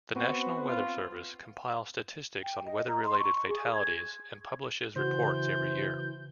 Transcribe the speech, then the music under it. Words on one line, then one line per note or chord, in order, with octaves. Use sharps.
The National Weather Service compiles statistics on weather-related fatalities and publishes reports every year.
B3 C4 F#4
F4
G5
D#5
A#5
C6
C#6
G#4
G#6
C#3 E3 F#4 C5 G6